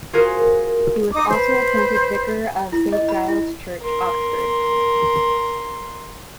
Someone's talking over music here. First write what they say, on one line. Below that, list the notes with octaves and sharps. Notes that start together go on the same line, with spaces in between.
He was also appointed Vicar of Saint Giles' Church, Oxford.
F4 F#4 G#4 A#4 C5
D#4 D6 D#6
B4 C5
E4
D#5
B5
E4
A#4 C6